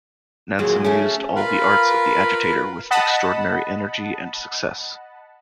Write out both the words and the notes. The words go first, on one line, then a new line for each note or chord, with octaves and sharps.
Nansen used all the arts of the agitator with extraordinary energy and success.
F#2 A#2 F#3 G#4
A3 C#4
F4 A#4 B4 F5 B5
D#5 F#5 A5 B5